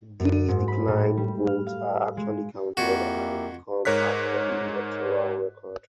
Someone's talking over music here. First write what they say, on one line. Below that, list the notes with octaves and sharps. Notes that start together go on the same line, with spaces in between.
These declined votes are actually counted and become part of the electoral record.
F#2
G#2
B5
A2
G3
F6
F5
G#3
F2 A#3 E4 F#4 G4
G#2 A#4 C#5 F#6 B6